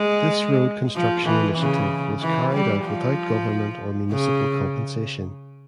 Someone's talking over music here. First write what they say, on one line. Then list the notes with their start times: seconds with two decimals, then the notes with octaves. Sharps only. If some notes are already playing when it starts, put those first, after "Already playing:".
This road construction initiative was carried out without government or municipal compensation.
Already playing: G#3
0.95 F3
1.26 E3
1.58 C#3
2.21 E3
2.53 G3
2.85 F3
4.11 C#3